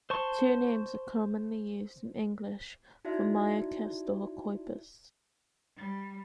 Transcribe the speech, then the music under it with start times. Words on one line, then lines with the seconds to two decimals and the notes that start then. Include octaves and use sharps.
Two names are commonly used in English for "Myocastor coypus".
0.10 C5 A5 C#6
3.05 D#4 E4 F#4 D5 E5
5.76 G3